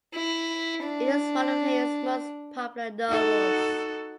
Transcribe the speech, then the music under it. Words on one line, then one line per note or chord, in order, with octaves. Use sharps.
It is one of Heyer's most popular novels.
E4
D4
D#4 F#4 A4